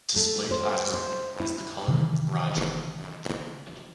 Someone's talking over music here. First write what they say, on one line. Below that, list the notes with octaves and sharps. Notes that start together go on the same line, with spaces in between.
Displayed at right is the color "rajah".
A3
C5
C5
E4
C3 D#3 E3